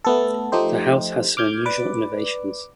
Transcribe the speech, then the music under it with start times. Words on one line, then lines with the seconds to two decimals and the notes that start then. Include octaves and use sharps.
The house has some unusual innovations.
0.05 A3 B3 A4
0.52 F3 A3 D#4 G4 C5
1.37 D6 F6 G6 G#6
1.66 B4 D5 D6